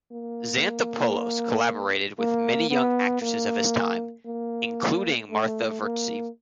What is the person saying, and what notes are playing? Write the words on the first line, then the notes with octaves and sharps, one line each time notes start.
Xanthopoulos collaborated with many young actresses of his time, including Martha Vourtsi.
A#3
A#3
B3
A#3
A#3
A3
A#3